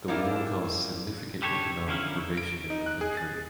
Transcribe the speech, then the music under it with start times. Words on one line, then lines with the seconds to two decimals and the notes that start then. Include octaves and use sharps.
The war caused significant economic privation in the country.
0.08 G3 A#3 D4 E4 F4
1.42 D3 G4 A4 C#5
1.88 D3 F3 C#4 E4 A#4
2.38 D7
2.70 D#4
2.86 F#6
3.01 G#4
3.17 A6